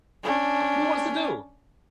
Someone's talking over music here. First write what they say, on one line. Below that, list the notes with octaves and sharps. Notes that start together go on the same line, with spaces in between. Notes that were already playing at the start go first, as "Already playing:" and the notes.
What do you want us to do?
C#4 D4